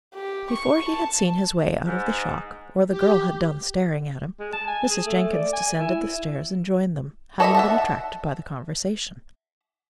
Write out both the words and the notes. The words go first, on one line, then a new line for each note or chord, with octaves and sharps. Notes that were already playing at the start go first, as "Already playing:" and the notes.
Before he had seen his way out of the shock, or the girl had done staring at him, Mrs. Jenkins descended the stairs and joined them, having been attracted by the conversation.
G4
C#6
A5
G#2
G4
G#3
A5
G#5
G#4
A3
D5
G#5
E4
A4 C#5 D#5 E5 B5
E5 F#5 A5